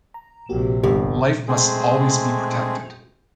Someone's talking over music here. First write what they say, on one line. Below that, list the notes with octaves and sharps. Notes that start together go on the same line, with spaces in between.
Life must always be protected.
A#5
A#1 C3 A#3 F#4 G4
G1 G2 G4
G#3 A3 C4 G#4